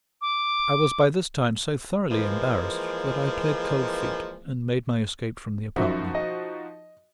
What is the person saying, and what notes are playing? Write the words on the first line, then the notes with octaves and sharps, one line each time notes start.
I was by this time so thoroughly embarrassed that I pled cold feet, and made my escape from the apartment.
D6
E3 F3 G#3 A#3
F#2 F3 D#4 F#4 E5
D#5